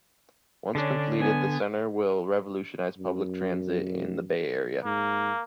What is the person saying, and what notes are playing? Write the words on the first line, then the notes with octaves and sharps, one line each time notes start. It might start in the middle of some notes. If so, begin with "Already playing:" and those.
Once completed, the Center will revolutionize public transit in the Bay Area.
D3 C#4 D4
B3 G#5
F#2
G#2 A#3